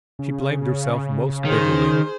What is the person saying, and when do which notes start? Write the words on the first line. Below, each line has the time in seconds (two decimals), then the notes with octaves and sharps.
She blamed herself most bitterly.
0.19 C#3
1.45 D#3 G#4 C5